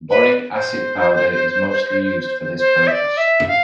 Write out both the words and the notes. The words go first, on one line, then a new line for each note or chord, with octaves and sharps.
Boric acid powder is mostly used for this purpose.
B4
C5
C5
E5
D5
E5
F5